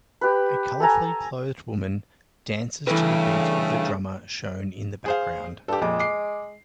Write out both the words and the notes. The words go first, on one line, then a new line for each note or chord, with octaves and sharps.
A colorfully clothed woman dances to the beat of the drummer shown in the background.
G4 B4
A4 G#5 A#5
G2 C#3 E3 A3 B4
G#4 C5 F5
G2 G4 A4
F2 A#2 G#3 D6
D6 C7